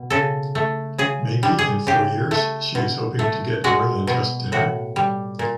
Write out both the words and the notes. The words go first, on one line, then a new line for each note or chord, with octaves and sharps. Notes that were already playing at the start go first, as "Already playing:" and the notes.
Maybe in four years she is hoping to get more than just dinner?
Already playing: B2
C#3 A4
A3
C#3 G#4
G3
G#4
C#3 G4
A3
B2
A3
G#3 F#4
B2
A2 F#4
G3
A#2